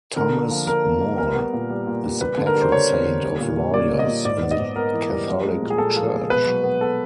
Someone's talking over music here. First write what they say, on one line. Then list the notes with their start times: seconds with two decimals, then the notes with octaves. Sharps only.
Thomas More is the patron saint of lawyers in the Catholic Church.
0.16 D3 A#4
0.33 A#3
0.51 F3
0.67 D3 A#4
0.85 A#3
1.01 A#3
1.18 G3 A#4
1.35 B3
1.53 A#2
1.70 G3
1.87 A#2
2.04 G3
2.21 G3 B4
2.38 D3
2.47 A#4
2.55 G3
2.61 C5
2.72 G3 C#5
2.90 C4
3.06 D3
3.23 G3
3.41 A#2
3.57 G3
3.74 A#3 D5
3.91 A#3
3.99 D#5
4.08 A#2
4.25 G#2 D5
4.42 B3
4.51 D#5
4.59 G#2
4.76 B3 A#4
4.93 E3
5.11 G3
5.28 F3
5.45 G#3
5.62 A#2
5.70 G#4
5.78 A#2 A4
5.96 F3
6.13 G#3
6.30 B2 B4
6.47 F#3
6.64 B3
6.81 B3 A4